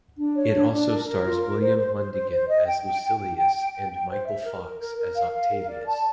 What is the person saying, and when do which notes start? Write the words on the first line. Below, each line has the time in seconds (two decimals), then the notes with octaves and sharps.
It also stars William Lundigan as Lucilius and Michael Fox as Octavius.
0.18 D4
0.35 C#5
0.53 D4
0.71 D4
0.89 A#4
1.07 A#4
1.24 F4
1.42 A#4
1.60 C5
1.77 C5
1.96 C5
2.13 C5
2.31 C5
2.48 D#5
2.67 G5
2.85 G5
3.02 G5
3.20 G5
3.37 G5
3.55 G5
3.73 G5
3.91 G5
4.10 C5
4.27 E5
4.44 A#4
4.62 A#4
4.80 A#4
4.97 A#4
5.16 F5
5.34 F5
5.52 A#4
5.69 D5
5.87 A5